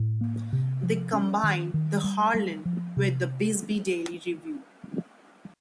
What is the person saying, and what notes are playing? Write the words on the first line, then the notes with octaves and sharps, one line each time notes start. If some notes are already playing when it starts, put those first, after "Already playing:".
They combined the "Herald" with the "Bisbee Daily Review".
Already playing: A2
A#3
C3
F3
C#4
D#3
D#3
G3
G3
F3
C3